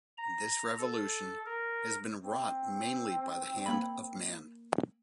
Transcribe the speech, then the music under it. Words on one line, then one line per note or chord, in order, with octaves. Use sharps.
This revolution has been wrought mainly by the hand of man.
A#5
A4
A#4
C4
A#3 B5